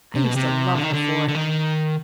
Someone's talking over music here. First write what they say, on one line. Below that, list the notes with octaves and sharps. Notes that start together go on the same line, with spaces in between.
I used to love her for it.
C3
B2
C3
D3
D#3
D3
D3
D#3